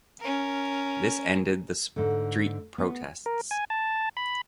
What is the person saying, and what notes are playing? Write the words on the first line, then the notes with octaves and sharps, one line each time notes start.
This ended the street protests.
C#4 A#4
G#2 D3
B3
A#4
G#5
A5
B5